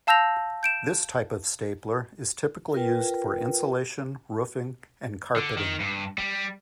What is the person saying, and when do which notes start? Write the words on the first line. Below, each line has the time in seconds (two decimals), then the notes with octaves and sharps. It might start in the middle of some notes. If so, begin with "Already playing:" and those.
This type of stapler is typically used for insulation, roofing and carpeting.
0.07 F5 A5 E6 G6 A#6 F7
0.63 G6 D7 E7
2.73 F4 A#4 B4 G5
5.36 D3
5.57 D#3
5.80 G2
6.18 G3